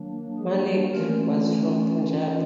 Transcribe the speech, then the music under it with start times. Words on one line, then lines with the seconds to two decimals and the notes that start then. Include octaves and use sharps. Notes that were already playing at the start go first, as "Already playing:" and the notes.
Malik was from Punjab.
Already playing: D#3 F#3 A#3 D4
0.38 G#3 G#4
0.93 E3 A3 A#3 C#4 F4 A#4